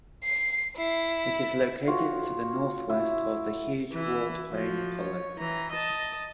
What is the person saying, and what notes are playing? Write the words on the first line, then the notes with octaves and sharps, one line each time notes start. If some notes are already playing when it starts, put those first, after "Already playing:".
It is located to the northwest of the huge walled plain Apollo.
C7
E4
F4 F#4 C#5
E4
E3 E4
F3 F#4
C#5
E3 A#5
D#5 A5